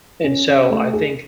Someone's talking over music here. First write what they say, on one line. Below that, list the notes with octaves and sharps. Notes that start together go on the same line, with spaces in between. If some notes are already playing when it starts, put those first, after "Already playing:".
and so I think
C#4
C#4
A3
G#4